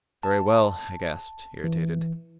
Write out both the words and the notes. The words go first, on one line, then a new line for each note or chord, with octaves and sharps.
"Very well," I gasped, irritated.
A5
E3